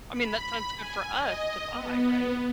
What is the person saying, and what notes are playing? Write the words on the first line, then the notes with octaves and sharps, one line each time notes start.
I mean, that sounds good for us to buy, right?
B5
G#5
D#5
B3